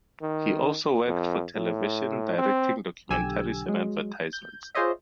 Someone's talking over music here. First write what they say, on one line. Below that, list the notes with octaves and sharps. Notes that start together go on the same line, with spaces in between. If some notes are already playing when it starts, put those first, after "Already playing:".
He also worked for television, directing documentaries and advertisements.
D#3
F2
A2
C4
B1 D3 G4 G#5 E6
F#3 G#3
G6
F4 G#4 C5 C#5 D#5 E5